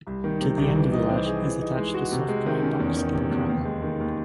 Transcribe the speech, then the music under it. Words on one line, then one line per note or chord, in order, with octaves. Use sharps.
To the end of the lash is attached a soft, dry, buckskin cracker.
C2
D#3
C3
C2
E3
D#4
C4
G#4
E3
D#4
G#3
F#4
C3
G#3
D#3
C#4
E2
D#3
C3
E2
D#2
G#3
D#3
D#2